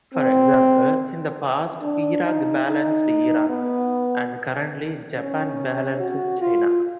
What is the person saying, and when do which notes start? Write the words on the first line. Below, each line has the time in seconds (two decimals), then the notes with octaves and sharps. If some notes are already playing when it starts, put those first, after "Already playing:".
For example, in the past, Iraq balanced Iran, and currently Japan balances China.
0.14 C4
1.82 D4
2.23 D#4
2.65 D#4
3.49 B3
5.16 C#4
6.00 F#4
6.41 F4